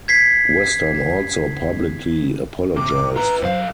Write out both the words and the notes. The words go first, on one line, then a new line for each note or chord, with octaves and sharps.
Western also publicly apologized.
G#6 B6 C7
A1 C3 D6
F4 B4 A#5
C2 F#2 C5 F5